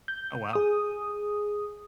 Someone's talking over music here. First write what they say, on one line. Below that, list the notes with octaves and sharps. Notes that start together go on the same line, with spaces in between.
Oh, wow.
G6
G#4 D#6